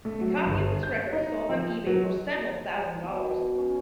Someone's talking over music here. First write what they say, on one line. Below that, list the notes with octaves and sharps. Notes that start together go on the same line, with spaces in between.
A copy of this record sold on eBay for several thousand dollars.
A3
F#3
G1
G6
D#4
F3
F#3
B2
C#4